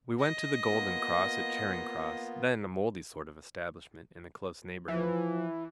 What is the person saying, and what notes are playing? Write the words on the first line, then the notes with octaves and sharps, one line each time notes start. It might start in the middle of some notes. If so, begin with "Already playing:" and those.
We went to the Golden Cross at Charing Cross, then a mouldy sort of establishment in a close neighbourhood.
D#5
A#3 B3 F4
E3 F3